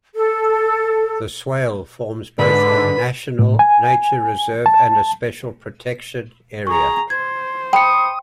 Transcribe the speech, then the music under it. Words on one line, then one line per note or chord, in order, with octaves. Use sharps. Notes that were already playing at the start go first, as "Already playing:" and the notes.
The Swale forms both a National Nature Reserve and a Special Protection Area.
A4
G#2 D3 B4 B5
A2
G#5
A5
G#4 A#5 C#6
C5 G#6
G5 B5 D#6 C#7